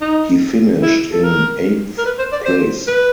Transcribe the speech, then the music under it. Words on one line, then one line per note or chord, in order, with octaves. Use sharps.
He finished in eighth place.
D#4
E4
A4
A#4
A#4
B4
C5
D5
C5
B4